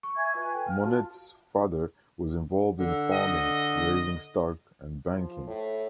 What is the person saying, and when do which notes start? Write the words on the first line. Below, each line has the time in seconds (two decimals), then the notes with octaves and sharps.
Monnette's father was involved in farming, raising stock, and banking.
0.03 C#6
0.17 E5 G#5 G#6
0.35 F4 B4 G#5 C#6
0.52 A4 G5
0.67 F5 F6
0.83 F4 F#4 A5
2.79 D3
3.13 D#5
5.16 F3
5.48 A2